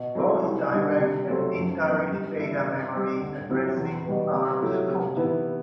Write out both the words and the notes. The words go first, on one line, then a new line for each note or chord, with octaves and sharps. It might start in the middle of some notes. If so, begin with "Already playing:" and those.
Both direct and indirect data memory addressing are supported.
Already playing: B2
F#3 A3 C4 E4
C2
B2 G3 D4
C3
F#3 A3 C4
F#2
E3 B3
G2
E3 B3 E4
B2
G3 C4
D2
C3 F#3 C4 E4
E2
B2 G3 B3
C3
F#3 A3 E4
C3
E3 B3 E4